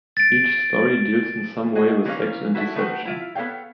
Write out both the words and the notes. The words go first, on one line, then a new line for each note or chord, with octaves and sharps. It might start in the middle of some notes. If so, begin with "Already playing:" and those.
Each story deals in some way with sex and deception.
A6 D7
F#4 G#4 D#5
E3 A#3 C#4 F5
E4 F#4 A4 C#5 E5
A3 B3 F#4 C5 G5
E4 F4 E5
B3 A4 C#5 F5 G5